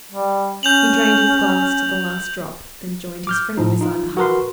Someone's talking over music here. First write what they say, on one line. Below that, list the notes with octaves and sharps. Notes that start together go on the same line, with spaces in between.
He drained his glass to the last drop, then joined his friend beside the hearth.
G3
C#4 G6 F7 F#7
D6 F6 G6
A2 F3 D#4
D#4 F4
F#4 A#4 B4 C6